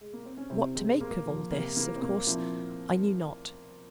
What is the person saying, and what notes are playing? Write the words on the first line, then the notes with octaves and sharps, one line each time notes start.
What to make of all this, of course I knew not.
G#3
A#3
C4
C#4
C3 C4 E4
E3 G#3 C4
A#2 A#3
F3
C3 A#3
E3 A#3
C4
A#2 A#3
F3 C4 E4